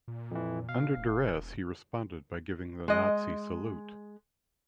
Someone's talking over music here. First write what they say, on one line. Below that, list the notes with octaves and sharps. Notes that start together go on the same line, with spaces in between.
Under duress, he responded by giving the Nazi salute.
A#2
F2 E3
B2 F5
E1
G#3 D#5